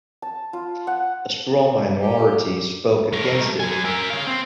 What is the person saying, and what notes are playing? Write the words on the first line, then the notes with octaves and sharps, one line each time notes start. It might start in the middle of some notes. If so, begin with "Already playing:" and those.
A strong minority spoke against it.
A5
F4
F#5
G4
A3 A#4
F#3 G#5
A#4 E5
C#5 F5
C4